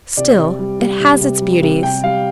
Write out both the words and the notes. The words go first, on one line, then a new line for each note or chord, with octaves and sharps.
Still it has its beauties.
C3 D5
C3
G3
G3
C3
C3
G3
C3
C3 G5
G3 F5